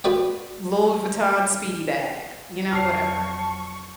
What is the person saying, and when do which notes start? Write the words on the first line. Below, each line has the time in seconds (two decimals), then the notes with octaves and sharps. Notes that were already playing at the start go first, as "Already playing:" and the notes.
Louis Vuitton speedy bag, you know, whatever.
0.04 B3 F#4 B4 D5 G5
2.72 F2 F#3 A5 C#6 F6 C7